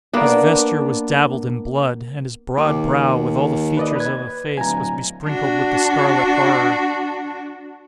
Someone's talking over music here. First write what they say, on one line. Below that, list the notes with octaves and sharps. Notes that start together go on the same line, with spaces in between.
His vesture was dabbled in blood--and his broad brow, with all the features of the face, was besprinkled with the scarlet horror.
A#3 B3 D4
D#2 D6
B4 D5 D#5
B4 G#6
D1 G#5 A#5
D4 F#4